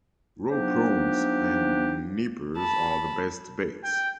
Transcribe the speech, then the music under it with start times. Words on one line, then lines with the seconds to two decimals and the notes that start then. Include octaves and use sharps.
Raw prawns and nippers are the best baits.
0.50 F3 F#3 B3 D4 D#4 G4
2.58 A5 B5
3.84 G5